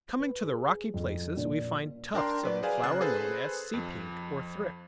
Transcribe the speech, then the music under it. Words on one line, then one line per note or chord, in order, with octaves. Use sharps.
Coming to the rocky places, we find tufts of the flower known as Sea Pink or Thrift.
B4
G#4
F2
A#2
D4 A#4 G5 A#5 C6
F#3 B4 D5
G#4 B4 C5 D5 F5 G#5
C#3 F#5 F#6 A6 C7
G#4 A4 B4 C5
F2 F3